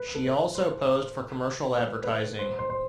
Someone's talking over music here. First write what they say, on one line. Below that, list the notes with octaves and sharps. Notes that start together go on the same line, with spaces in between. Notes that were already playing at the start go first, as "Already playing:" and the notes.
She also posed for commercial advertising.
Already playing: B4
A4
B4
C5
C5
B4
B4
A4
C5
C5
C5